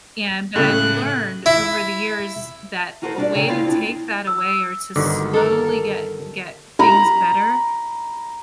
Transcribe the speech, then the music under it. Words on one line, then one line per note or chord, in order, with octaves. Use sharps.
And but I've learned over the years that a way to take that away, or to slowly get get things better
A2 C#3 A3 F#6
E4
D#4 F4 F#4 A4 A#4 C5
D4 E4 F#4 G4 A#4 D5
C#3 D#4 A4 C#5 G5
E4 F4 C5 C#5 F5
D2 C4 D4
E6
G1 D3 D#3 F#4 D6
A4 A#4
A#5 B5